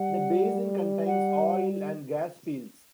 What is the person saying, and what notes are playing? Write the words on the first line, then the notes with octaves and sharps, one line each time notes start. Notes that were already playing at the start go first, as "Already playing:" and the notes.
The basin contains oil and gas fields.
Already playing: G3 F#5
F#5